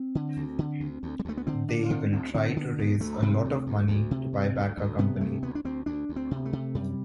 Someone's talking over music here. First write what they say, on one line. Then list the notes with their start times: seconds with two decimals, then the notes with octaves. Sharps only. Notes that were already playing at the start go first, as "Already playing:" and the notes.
They will to try to raise a lot of money to buy back a company.
Already playing: C4
0.15 D3
0.37 D2
0.59 D3
0.80 D2
1.03 D2
1.20 G3
1.25 D2 A3
1.37 B3
1.47 D3 C4
1.68 D3 D4
1.90 D3 C4
2.12 D2 C4
2.34 D3 C4
2.56 D3 B3
2.79 D2 B3
3.00 D2 A3
3.22 C3
3.45 D2
3.67 D2
3.88 D2
4.11 C3
4.33 D2
4.55 D2
4.77 D2
4.99 C3 B3
5.21 D2 A3
5.43 D2 B3
5.55 D4
5.65 D2 C4
5.86 D2 D4
6.09 D2
6.16 C4
6.31 C3
6.45 A3
6.53 C3
6.75 F#2 G3